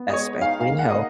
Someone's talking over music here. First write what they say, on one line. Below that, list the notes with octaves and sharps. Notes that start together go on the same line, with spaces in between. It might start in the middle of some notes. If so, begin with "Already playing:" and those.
especially in health,
Already playing: B3
D#5
G#3 C#5
D#4 F5
F5
A#3
F#5
D#5